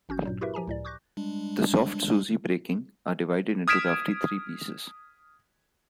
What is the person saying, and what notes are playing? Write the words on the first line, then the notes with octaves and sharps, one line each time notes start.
The soft susy breaking are divided into roughly three pieces.
G#1 C#4 F#4 G6
G2 A#2 F#3
E4 F#4 G4 A#4 B4 E5
F3 G4 G#5 A#5
C#2 A2 D5
C#6 D6 F#6 G6 A#6
G3 G#3 D4
D#6 F6 G#6 B6 D7 E7